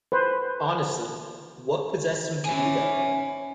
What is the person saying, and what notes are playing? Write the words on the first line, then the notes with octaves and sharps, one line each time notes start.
Honestly! What possessed him to do that?
B4 C5
C#4 E5 G#5